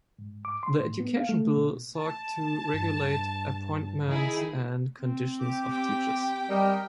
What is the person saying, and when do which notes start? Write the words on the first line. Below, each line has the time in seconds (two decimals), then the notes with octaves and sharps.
The Education Bill sought to regulate appointments and conditions of teachers.
0.19 G#2
0.45 D6
0.63 C6
0.80 A2
1.00 B3
1.16 F5
1.29 A3
1.57 B2
1.95 A5
2.74 G2
4.08 D#3 D#4 E4 G#4
5.00 C4
5.40 G4 D6
5.70 G5
6.49 G3 G4 A#4 D#5